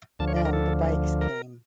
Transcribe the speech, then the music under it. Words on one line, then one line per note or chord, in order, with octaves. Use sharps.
Then the bikes came.
D2 D3 F3 A5
C#5
D5
A#4
A4
A#4